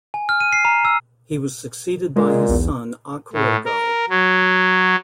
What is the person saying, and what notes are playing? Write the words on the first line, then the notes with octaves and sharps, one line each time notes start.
He was succeeded by his son Akurgal.
G#5
F6
D#7
C7
A#5
E6
A#2 G#3
B1 E2
A2
A#4
F#3